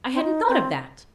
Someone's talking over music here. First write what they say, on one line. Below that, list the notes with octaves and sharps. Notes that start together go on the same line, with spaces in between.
I hadn't thought of that.
C4
D#4
C4